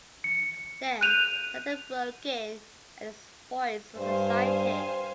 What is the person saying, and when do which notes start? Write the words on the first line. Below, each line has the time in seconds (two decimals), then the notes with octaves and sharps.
Then Xander broke in and his voice was excited.
0.24 C#7
1.01 F#6 G6 D#7 F7
3.98 G2 C5 F5 G#5